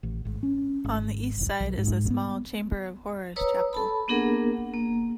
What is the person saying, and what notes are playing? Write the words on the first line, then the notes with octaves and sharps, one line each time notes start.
On the east side is a small 'chamber of horrors' chapel.
A1
G#1
C#4
G#1
B1
G#2
B3
B4 C#5 A#5 D#6 E6
A4 A5 B5
A#3 B3 D4 G#4 A#4 F#5
A#3